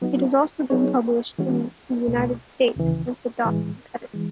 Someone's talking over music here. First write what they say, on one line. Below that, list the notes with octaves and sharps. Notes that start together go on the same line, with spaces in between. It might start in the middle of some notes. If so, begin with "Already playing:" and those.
It has also been published in the United States as "The Dawson Pedigree".
F#3 B3 D#4 F#4
F#3 B3 D#4 G#4 C#5
E3 G#3 C#4 F#4
C#2 B2 A3
D#2 C#3 E3
A2 E3 G#3
E3 G#3